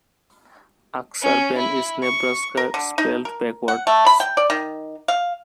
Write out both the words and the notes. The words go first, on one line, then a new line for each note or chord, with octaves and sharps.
Ak-Sar-Ben is "Nebraska" spelled backwards.
C#4
E4
C#6
A#4
D3
D#4
A#4
F#5
A3
B5
G5
D5
D#3
F5